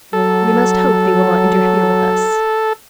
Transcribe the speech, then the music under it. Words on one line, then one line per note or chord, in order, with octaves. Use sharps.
"We must hope they will not interfere with us."
F#3 A4